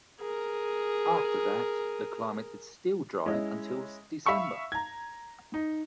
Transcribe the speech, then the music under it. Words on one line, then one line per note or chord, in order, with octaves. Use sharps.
After that, the climate is still dry until December.
G#4 A#4
G#3 C#4 E4 D#5
E5 F5 B5 C#6 E6
A#5 G#6
D#4